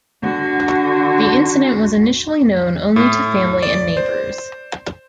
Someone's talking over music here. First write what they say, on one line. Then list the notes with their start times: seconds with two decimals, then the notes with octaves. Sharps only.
The incident was initially known only to family and neighbors.
0.22 D3 F#4
2.96 A2
3.63 D5
3.97 C5